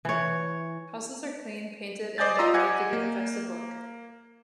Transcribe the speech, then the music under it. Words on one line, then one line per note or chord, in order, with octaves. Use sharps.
Houses are cleaned, painted and decorated to give a festive look.
E3 C#5
C5 D5 D#5 G#5 G6 A6
F4 D#5 A#5 C6 E6
D#5 F#5 G#5 D6 G#6
A#3